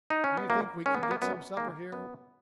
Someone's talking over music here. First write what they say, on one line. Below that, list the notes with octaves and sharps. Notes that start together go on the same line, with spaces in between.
"Do you think we could get some supper here?"
D#4
C#4
B3
F#2 A#3
D#3 G#3 C#4
B3
A#3
B3
F#2 B3
D#3 G#3 A#3
F#2 B3